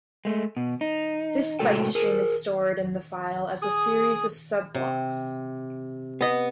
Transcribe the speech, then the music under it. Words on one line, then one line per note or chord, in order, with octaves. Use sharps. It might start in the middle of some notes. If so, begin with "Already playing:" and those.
This byte stream is stored in the file as a series of "sub-blocks".
G#3 A3
B2
D#4
A2 C3 G#3 F#4 A4 G5
G#4 A#4
G#4 D#6
C3
B3 D#5